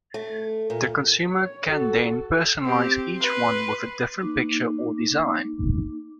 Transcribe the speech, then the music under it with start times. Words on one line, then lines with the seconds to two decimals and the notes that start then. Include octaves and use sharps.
The consumer can then personalize each one with a different picture or design.
0.14 A3
0.70 A#2
1.29 C#5
1.67 F#4 A4
2.64 C4 G4
3.17 B4 C6
4.21 A#3 D#4 D6